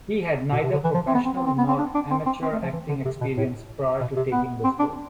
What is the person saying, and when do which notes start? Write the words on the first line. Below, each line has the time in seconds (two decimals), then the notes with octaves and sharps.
He had neither professional nor amateur acting experience prior to taking this role.
0.52 B2
0.63 C3
0.73 D3
0.84 E3
0.94 F3
1.08 C4
1.15 B3
1.26 C4
1.37 C4
1.47 C4
1.58 B3
1.68 C4
1.79 D4
1.95 D4
2.11 C4
2.26 C4
2.43 C4
2.53 A3
2.63 F3
2.73 E3
2.89 D3
3.05 C3
3.21 B2
3.38 A2
4.00 B2
4.17 C3
4.32 B3
4.64 C4
4.80 D4